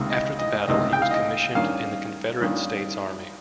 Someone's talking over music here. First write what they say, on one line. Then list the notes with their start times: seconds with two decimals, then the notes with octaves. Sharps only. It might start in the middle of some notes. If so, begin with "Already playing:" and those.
After the battle, he was commissioned in the Confederate States Army.
Already playing: C#2 C3 D#3 A#3
0.10 D#5
0.39 D#5
0.67 C#2 C3 D#3 A#3 D#5
0.93 G5
1.02 F5
1.11 D#5
1.55 G2 D#3 A#3 C#4 F5
2.41 G2 D#3 A#3 C#4